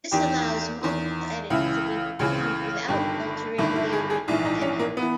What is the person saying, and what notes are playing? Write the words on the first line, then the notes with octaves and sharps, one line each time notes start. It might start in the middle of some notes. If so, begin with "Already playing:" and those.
This allows multiple edits to be performed without altering the original image.
E2 D#3 G4
E2 D#3
C#2 C#3 E3 E4
C#2 C#3 E3 G#4
G1 G2 D#3 G4
G1 G2 D#3 E4
E4
G#4
G#4
A#1 G#2 E3 E4
D#4
C#4
A#3
E3 B3